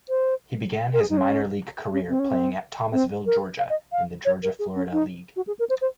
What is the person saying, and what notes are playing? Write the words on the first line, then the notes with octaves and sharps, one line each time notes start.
He began his minor league career playing at Thomasville, Georgia, in the Georgia-Florida League.
C5
A#4
G#4
D#4
C#4
C#4
C4
C#4
C4
C4
A#4
F5
D#5
F5
C#5
A#4
G#4
C#4
D#4
F#4
G#4
A#4
C5
C5